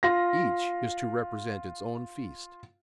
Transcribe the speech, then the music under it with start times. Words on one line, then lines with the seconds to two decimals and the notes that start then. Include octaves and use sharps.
Each is to represent its own feast.
0.03 F4 A#6